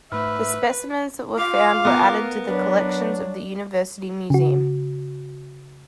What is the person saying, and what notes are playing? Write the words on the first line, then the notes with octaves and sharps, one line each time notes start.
The specimens that were found were added to the collections of the University museum.
G#2 A3 B4 E5 B5 F6
F4 F5 D6
B3 A#4
F#3 D4 B4
C#3 F#4